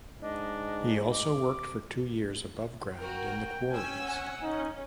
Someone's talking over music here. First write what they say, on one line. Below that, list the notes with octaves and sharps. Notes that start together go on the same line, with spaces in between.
He also worked for two years above ground in the quarries.
G#2 D4 D#5
D6
F#4 A#4 G5
C#4 G#5 E6
F#5
C#4 D#4